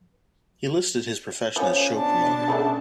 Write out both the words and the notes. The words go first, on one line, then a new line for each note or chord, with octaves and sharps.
He listed his profession as "show promoter".
F3 C#4
B2 D4 A5
C#3 F3 A3